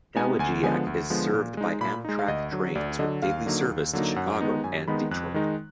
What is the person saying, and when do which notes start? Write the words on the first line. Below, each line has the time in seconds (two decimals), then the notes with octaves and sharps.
Dowagiac is served by Amtrak trains with daily service to Chicago and Detroit.
0.15 G#3 B3 D#4 G#5
0.39 D2 G#5
0.63 D3 F3 G#3 B3 G#5
0.87 D2
1.10 D3 F3 G#3 B3
1.34 A#2
1.57 G#3 D#4
1.81 A#2 B5
2.05 G#3 D#4
2.19 F5
2.28 D2 D#5
2.52 D3 F#3
2.75 D2 D5
2.99 D3 F#3 D#5
3.22 D#2 F5
3.46 D3 F#3 A#3 D#4
3.70 D#2
3.93 D3 F#3 A#3 D#4
4.16 F#2 F#5
4.40 D#3 G#3 B3 D#4
4.64 F#2 G#5
4.88 D#3 G#3 B3 D#4 B5
5.11 F2 F#6
5.34 D#3 G#3 D#4